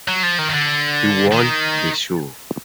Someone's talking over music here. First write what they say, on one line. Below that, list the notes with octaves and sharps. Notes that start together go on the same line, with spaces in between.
He won the show.
F#3
F3
D#3
D#3
D3
D#3